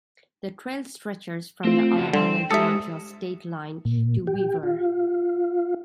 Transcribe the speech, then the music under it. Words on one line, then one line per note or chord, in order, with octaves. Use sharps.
The trail stretches from the Alabama-Georgia state line to Weaver.
A3 C4 F4
C#3 F#4
D3 G3 G5 C6
G#3 D#4 G4 A4 E5 D#6 C#7
A#2
G4
F4